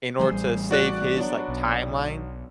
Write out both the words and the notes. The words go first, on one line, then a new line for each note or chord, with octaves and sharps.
in order to save his, like, timeline,
E3 F#3 G#3 G#4 C5
A1 G3
F#4 D5 F#6
F#3 B3 D4
B1